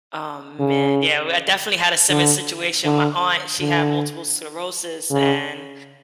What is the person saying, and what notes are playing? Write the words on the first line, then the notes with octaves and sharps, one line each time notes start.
Oh, man, yeah, well, I definitely had a similar situation, my aunt, she had multiple sclerosis and,
C#3
D3
D3
D3
C#3